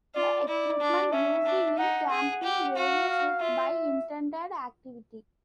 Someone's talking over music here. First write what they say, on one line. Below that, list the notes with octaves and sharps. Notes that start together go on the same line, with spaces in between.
The equipment used in camping varies with by intended activity.
F4 D5
E4 D5
D4
C#4 E5
D4
D#4 F#5
G#4 F#5
G4
F#4 F5
F5
F4 E5